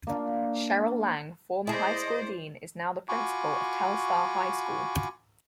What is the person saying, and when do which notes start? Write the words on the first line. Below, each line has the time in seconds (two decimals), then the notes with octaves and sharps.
Cheryl Lang former High School Dean is now the Principal of Telstar High School.
0.07 A#3 D4 F4
1.67 E4 G#4 C5 D5 D#5
3.09 F4 F#4 G#5 B5 C#6 D6